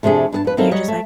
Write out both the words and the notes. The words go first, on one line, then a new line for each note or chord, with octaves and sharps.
And you're just like,
F2 C3 A3 D4 G#4
G2 G#4 A5
F2 B4
D#3 A#3 C4 E4 A4
F#3 G3 C#5 D#5
A3